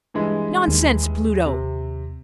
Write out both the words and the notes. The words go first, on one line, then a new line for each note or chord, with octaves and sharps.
Nonsense, Pluto!
G2 E3 G#3
D#2
C3